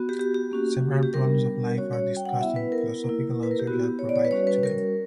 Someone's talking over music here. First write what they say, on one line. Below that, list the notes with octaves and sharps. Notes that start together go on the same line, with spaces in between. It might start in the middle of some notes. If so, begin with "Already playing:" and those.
Several problems of life are discussed and philosophical answers are provided to them.
Already playing: B3 F#4
G4
G4
G4
A#3 C#4 F#4
G4
G3 B3 D4 A#4
G3 C#4 F#4 C#5
C#5
G5
F#5
B3 E4 E5
B4
A#4
A#3
E4
B4
A#4
G4
B3 E4 F#4
G4
C#5
D5
C#5
B4
G3 C#4 F#4 C#5
B4
A#4